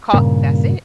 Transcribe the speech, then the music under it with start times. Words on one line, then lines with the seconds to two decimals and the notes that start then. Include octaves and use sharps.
Call That's it.
0.13 G2 A#2 C#3 A#3